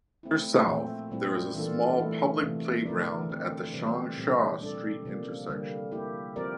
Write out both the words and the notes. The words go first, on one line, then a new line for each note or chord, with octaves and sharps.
Further south, there is a small public playground at the Changsha Street intersection.
A3 C4 E4
A#2 F3 A3 C4
A#2 G3 C4 E4
E3 A#3 D4 F4 A4
E3 A3 E4
C3 E3 A3 E4
D3 A3 E4 A#4 D5
D3 F3 C4
C3 E3 G3 C4 G4
A#2 G3 C4 G4
G3 D4 A4 D5
C3 F3 A#3
D3 G3 A#3
A#3 E4 G4
F3 C4 G4 A#4 D5